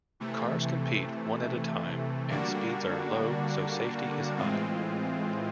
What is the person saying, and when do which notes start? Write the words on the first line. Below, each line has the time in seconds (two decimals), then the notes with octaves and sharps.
Cars compete one at a time and speeds are low so safety is high.
0.20 C3 E3 A3
2.28 D3 G3 A#3 D4 F#4
4.37 A2 E3 G#3 C4 F4